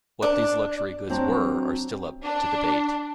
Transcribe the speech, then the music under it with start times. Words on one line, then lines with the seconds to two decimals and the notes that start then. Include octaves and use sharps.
What these luxury goods were are still up to debate.
0.22 D4
1.09 F#3 C4 D4 F#4 A#5
2.24 D4